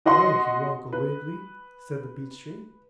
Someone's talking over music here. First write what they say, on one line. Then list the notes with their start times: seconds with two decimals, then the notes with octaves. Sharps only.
"Thank you, Uncle Wiggily," said the beech tree.
0.06 F#4 D#5 F#5 C6
0.93 B4